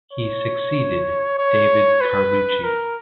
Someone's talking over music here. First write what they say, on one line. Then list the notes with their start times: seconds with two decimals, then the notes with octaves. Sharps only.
He succeeded David Carlucci.
0.13 C#5
1.38 C#5
2.01 B4
2.64 A#4